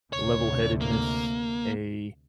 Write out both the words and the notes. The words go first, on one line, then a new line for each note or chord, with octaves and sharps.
level-headedness, a,
D2 C3 C#5
A#3